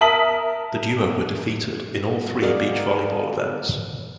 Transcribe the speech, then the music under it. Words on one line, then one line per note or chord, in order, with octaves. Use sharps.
The duo were defeated in all three beach volleyball events.
A#4 E5 A5 D#6 B6 F#7
F#4 G#4 A#4 D5 D#5 F5